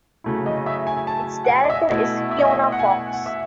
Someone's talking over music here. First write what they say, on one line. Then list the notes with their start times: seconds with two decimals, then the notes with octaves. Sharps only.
Its director is Fiona Fox.
0.24 C#3 F#3 A3 E4
0.46 D#5
0.66 E5
0.87 G#5
1.07 A5
1.44 F#5
1.48 G#5
1.64 D#5
1.69 E5
1.89 B2 A3 E4 D#5
2.31 E5
2.38 D#5
2.45 E5
2.72 F#5
2.79 G#5
2.85 F#5
3.13 F#5
3.26 E5